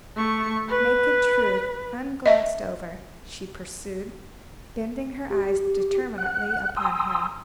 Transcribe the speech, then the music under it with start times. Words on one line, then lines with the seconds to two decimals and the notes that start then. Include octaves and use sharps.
"Naked truth, unglossed over," she pursued, bending her eyes determinately upon him.
0.17 A3 C#6
0.68 B4
2.26 D#5 E5
5.30 G4
6.18 F#5 F#6
6.76 G5 G#5 A#5 C6 D#6 E6